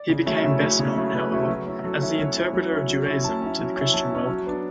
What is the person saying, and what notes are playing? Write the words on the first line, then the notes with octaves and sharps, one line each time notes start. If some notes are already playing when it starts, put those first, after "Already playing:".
He became best known, however, as the interpreter of Judaism to the Christian world.
Already playing: D5
C#3
F#3 A3 C#4 E4
C#3 E5
F#3 A3 C#4 E4
C#3
F#3 A3 C#4 E4
C#3 B4
F#3 A3 C#4 E4
F#3
C#4 E4
F#3 A4
C#4 E4
F#3 C#5
C#4 E4
F#3 C#5
C#4 E4
F#3
C#4 E4
F#3 A5
C#4 E4
F#3
C#4 E4
F#3 A5
C#4 E4
F#3
B3 D4